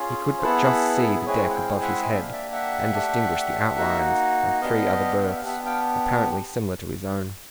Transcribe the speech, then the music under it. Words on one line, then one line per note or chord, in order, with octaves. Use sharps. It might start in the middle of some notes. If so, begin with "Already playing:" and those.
He could but just see the deck above his head, and distinguish the outlines of three other berths, apparently similar to his own.
Already playing: C#4 F4 G#4
C5
B3 E4 G#4 A4 B4
G#3 C4 E4 G#4 B4 C#5
F#5
F5 G5
E5 F#5
A#3 D4 G4 E5
F5
D5 E5
E5 F#5
A3 D4 G4
A#3 D#4 F#4
B3 D4 G4 D#5 F5
D#5
E5
F5
B3 D4 G4 E5 F#5
F5 G5